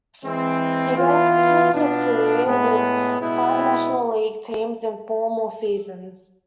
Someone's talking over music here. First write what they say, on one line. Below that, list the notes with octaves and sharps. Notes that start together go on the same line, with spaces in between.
He then continued his career with five National League teams in four more seasons.
E3 G#3 C4
E3 B3 F4
B2 B3 D4 F4
A2 G#3 B3
B2 G#3 B3 E4